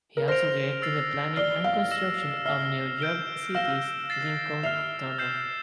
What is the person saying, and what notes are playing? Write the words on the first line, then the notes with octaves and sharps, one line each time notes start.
He also directed the planning and construction of New York City's Lincoln Tunnel.
A#4
C5 F6 A#6 D7 F7
E6 A6 C7
D5 F6 C7 G7
F5
E6 A#6 E7
E5 F6 C7 G7
G6 D7 G7
F5 E6 A#6 E7 G7
A6 C7 E7
E5 F6 C7 F7
E6 G6 C7 E7